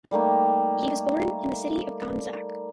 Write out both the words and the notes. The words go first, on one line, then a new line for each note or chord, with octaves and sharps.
He was born in the city of Gandzak.
G3 A3 A#3 D#4